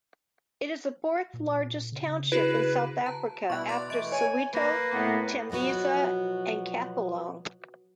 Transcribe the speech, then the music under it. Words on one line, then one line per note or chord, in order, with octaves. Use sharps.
It is the fourth largest township in South Africa, after Soweto, Tembisa and Katlehong.
A#2
C#3
E4 F#4 G#4 B4
A5 A#5
B2 G3 E4 C#6 F#6
D5 C6 F#6 A6
E3 A3 D#5 A6 D7
C#5 G#5
A#3 B4
A2 B3
B2 F3 F#3 B3 F#4